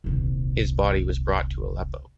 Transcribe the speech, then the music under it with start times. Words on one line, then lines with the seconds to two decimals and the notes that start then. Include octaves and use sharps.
His body was brought to Aleppo.
0.04 D#1 C2